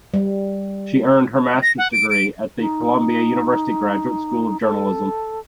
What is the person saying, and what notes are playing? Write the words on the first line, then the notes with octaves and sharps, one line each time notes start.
She earned her master's degree at the Columbia University Graduate School of Journalism.
G3
A#6
F#5
D7
D7
D#4
A4